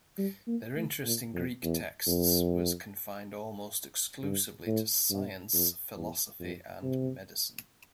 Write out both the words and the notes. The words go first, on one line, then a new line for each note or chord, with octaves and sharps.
Their interest in Greek texts was confined almost exclusively to science, philosophy and medicine.
G3
A#3
A3
A#2
F2
E2
F2
G2
A2
G2
F2
E2
F2
C3